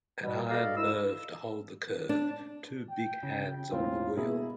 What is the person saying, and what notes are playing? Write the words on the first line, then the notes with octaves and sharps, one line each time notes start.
An iron nerve to hold the curve, two big hands on the wheel.
B2 G3
D#4 F#4 A4 D5 D#5 F5
C2 D#4 E4 E6
D4
G5
C#3
E1 A2 C4 F4
B2 A#3 E4 G#4